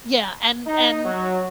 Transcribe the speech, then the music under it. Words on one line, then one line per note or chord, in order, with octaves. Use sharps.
Yeah, and and,
D#4
F#3